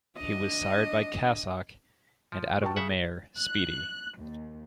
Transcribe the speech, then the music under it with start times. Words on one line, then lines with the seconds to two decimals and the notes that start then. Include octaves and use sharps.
He was sired by Cassock and out of the mare, Speedy.
0.17 D4 D#5
2.32 F3
2.63 F#4 G5 A5
2.76 C#3 G#4 E5 F#5
3.38 F#6
4.19 D#2